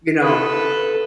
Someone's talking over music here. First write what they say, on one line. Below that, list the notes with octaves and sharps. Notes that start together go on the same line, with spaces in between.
you know.
A4 B4